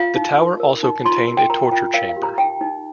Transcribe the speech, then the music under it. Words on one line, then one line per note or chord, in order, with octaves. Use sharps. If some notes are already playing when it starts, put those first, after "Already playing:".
The tower also contained a torture chamber.
Already playing: F4 F5
D#4
A#4
A#4
D#4
F4 C6
A#4
G5
A#4 A#5
F4 G5
A#4 F5
F5
G4
A#5
D#4 G5
D#4